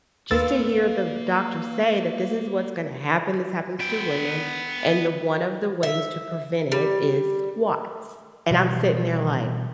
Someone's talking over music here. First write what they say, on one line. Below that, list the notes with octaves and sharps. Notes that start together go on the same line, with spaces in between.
just to hear the doctor say that this is what's gonna happen, this happens to women, and the one of the ways to prevent it is squats. And I'm sitting there, like,
D#2 A#3 B4 F5 C6 E6 A6
B3 G5
E5
G3
B2 E3 G3